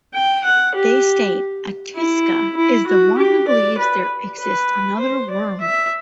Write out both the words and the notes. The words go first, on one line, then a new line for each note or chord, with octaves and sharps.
They state, Astika is the one who believes there exists another world.
G5
F#5
G4
E4
E4
F#4
G4
D5
B4
B4
C5
D5
E5